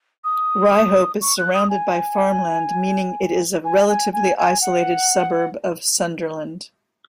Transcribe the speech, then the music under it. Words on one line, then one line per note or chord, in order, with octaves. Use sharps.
Ryhope is surrounded by farmland meaning it is a relatively isolated suburb of Sunderland.
D#6
C#6
F#6
D#6
G#5
G#5
G#5
G#5
G#5
F#5